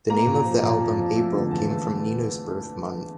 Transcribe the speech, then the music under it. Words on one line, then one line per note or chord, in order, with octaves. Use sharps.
The name of the album "April" came from Nino's birth-month.
A#3 A#5
A#2
F3
A#2
F2 A5
F2
A3
D3
E2 A5
A3